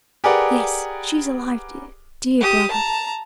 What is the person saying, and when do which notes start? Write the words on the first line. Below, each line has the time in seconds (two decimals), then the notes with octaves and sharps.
'Yes, she is alive, dear, dear brother!
0.24 G4 G#4 A#4 B4 D5 F#5
2.41 G4 D#6
2.71 A5 A#5